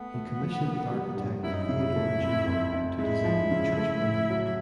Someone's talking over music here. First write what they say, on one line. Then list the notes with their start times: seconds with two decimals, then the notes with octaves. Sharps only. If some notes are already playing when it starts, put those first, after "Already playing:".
He commissioned the architect Theodore Giraud to design the church building.
Already playing: A3 B3
0.14 A3
0.39 F3
0.65 A#3
0.92 G3
1.17 G2
1.43 F#2 E4
1.53 D#4
1.63 E4
1.69 C#3
1.95 A3
2.21 F2
2.47 F2
2.73 F2
2.99 G#3 E4
3.24 F3
3.51 C#3
3.77 A3
4.02 A2
4.29 F#3
4.45 E4